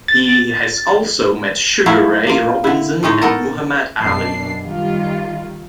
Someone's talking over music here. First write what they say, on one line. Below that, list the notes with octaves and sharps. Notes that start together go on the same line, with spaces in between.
He has also met Sugar Ray Robinson and Muhammad Ali.
A6
F#3 A3 E4 G#4 F5
A#3 F4
D3 E4
A2 G#3 C#4 D#4
B3 A4 A#4
F#2 B2 D4 C7
D#3 G3 F4